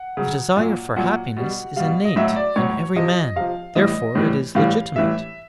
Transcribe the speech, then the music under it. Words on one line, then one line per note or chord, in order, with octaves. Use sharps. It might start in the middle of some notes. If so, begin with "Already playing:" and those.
The desire for happiness is innate in every man; therefore it is legitimate.
Already playing: F#5
C#3 F#3
A#2 F#3
A#2 F#3 F#5
B2 G3
B2 G3 F5
D#5
A2 F#3 E5
D5
A2 F#3 C#5
C3 F3 D#5
C3 F3 F5
A2 E3 G3 D#5
A2 E3 G3
A2 E3 G3 F5
A2 E3 G3 E5